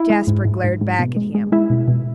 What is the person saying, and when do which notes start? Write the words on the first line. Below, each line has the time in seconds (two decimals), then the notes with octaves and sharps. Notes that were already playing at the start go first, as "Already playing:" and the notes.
Jasper glared back at him.
Already playing: E4
0.10 G#3
0.27 G#2
0.45 G#2
0.64 G#2
0.81 G#2
0.99 B2
1.17 G#3
1.35 G#3
1.52 G#3 E4
1.70 B2
1.88 B2